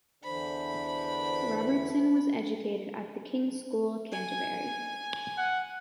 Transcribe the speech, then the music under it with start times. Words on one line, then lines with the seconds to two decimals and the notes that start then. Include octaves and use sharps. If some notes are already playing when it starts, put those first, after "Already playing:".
Robertson was educated at The King's School, Canterbury.
0.24 E2 D3 E3 D4 C5 B5
4.12 G#5
5.37 F#5